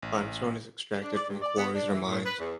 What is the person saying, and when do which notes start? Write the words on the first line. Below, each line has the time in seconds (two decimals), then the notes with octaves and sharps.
Limestone is extracted from quarries or mines.
0.02 A1
1.02 D4
1.14 D5
1.29 G2
1.42 D5
1.57 B3
1.75 D4
1.91 E3
2.06 A2
2.26 B4
2.40 E2